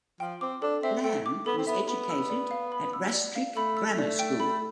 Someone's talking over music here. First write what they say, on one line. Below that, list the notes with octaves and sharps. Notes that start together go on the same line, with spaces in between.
Lamb was educated at Rastrick Grammar School.
F3 G5
C4 D6
D4 A4
C4 E5
A3 G5
D6
B3 A4
C4
B3 E5
B3 B5
E6
D5
F5
B5
E6
D5
F5
A3 B5
E6
D5
G5
B5